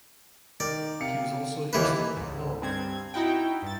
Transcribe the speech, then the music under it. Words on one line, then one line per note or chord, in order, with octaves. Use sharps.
He was also interested in the melograph.
D#3 D5
C3 F5 C#7
D#2 E3 A#3 E4 G4 B4
C#2 G#2
G2 C4 G#6
D#4 E4 F#4 G5
G2 A6